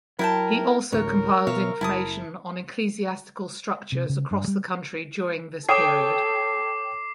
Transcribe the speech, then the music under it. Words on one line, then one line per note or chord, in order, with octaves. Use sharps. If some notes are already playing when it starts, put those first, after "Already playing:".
He also compiled information on ecclesiastical structures across the country during this period.
F#3 E4 A#4 G5 A5
A1 D2 A2 A#4 C#5
B2 F3 C#5 E5 F5
F#1 E4 A5 D#6
C3
C#3
G2
G3
A4 C#5 G5 D6 D#6 C7